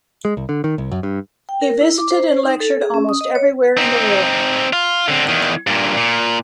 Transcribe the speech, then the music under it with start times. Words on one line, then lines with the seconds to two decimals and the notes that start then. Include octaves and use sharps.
He visited and lectured almost everywhere in the world.
0.25 G#3
0.37 C2
0.49 D3
0.64 D#3
0.78 C2
0.91 F#2
1.03 G2
1.49 G5
1.62 A#4
1.81 E4
1.98 D6
2.11 C5
2.43 D#4
2.60 A4
2.82 G#4
2.94 C#4
3.09 D#6
3.21 D#5
3.35 C#5
3.77 C4 D#4
4.73 F4
5.08 D3 C4
5.29 E2 D#3
5.67 G2 A#2
5.96 A#2